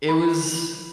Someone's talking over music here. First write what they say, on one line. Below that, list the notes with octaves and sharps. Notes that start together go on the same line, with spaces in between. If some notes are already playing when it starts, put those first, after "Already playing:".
It was
B5